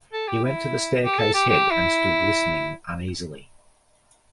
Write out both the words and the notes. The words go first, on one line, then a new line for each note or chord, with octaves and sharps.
He went to the staircase head and stood listening uneasily.
A4
G4
E4
G4
A4
G4
G4
E4